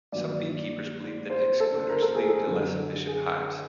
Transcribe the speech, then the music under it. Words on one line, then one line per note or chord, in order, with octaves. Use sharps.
Some beekeepers believe that excluders lead to less efficient hives.
G2 D#3 F#3 A#3 D5
C5
A4
A#4
A4
G#4
A4
F#2 D3 F#3
G#4